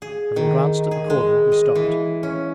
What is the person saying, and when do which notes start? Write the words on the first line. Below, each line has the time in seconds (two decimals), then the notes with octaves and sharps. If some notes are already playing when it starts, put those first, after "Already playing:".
Having glanced at the cordon he stopped.
0.02 G#4
0.36 D#3
0.91 G#4
1.10 G#3
1.52 D#5
1.75 E3
2.23 C#4